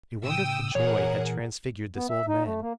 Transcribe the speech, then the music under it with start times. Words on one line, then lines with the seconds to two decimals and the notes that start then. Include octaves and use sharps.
A wonderful joy had transfigured this old man.
0.24 A2 C#3 G5 D#6 E6
0.75 A#2 E3 G#4 A#4 C#5 F#5
1.96 B3
2.10 E5
2.28 D#4
2.44 A3
2.62 A#3